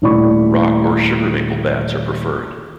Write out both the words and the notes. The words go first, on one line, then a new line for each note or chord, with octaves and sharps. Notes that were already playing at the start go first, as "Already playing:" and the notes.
Rock or Sugar Maple bats are preferred.
D#1 A2 E4 D5 B5 C#6